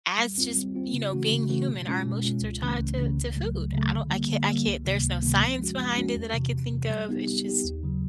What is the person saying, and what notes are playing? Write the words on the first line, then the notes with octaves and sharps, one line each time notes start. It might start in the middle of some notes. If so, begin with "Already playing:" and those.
as just you know, being human, our emotions are tied to to food. I don't I can't I can't, there's no science behind it that I could think of It's just
G3
C4 F4
G3
C4 F4
C#3
E3 A3 C#4 F#4
C#3
E3 A3 C#4 F#4
B2
G#3 C#4 F4
B2
G#3 C#4 F4
C#2
C#3 E3 A3 C#4
C#2
C#3 E3 A3 C#4
C#2
C#3 F#3 A3
C#2
C#3 F#3 A3
D3
G3 A#3
D3
G3 A#3
C#2
C3 D#3 G3 A#3
C#2
C3 D#3 G3 A#3
F3
G#3 C#4 F#4
F3
G#3 C#4 F#4
E2
C3 E3
E2
C3 E3
G3
B3 D#4 G4
G3
B3 D#4 G4
D#2
C#3 F#3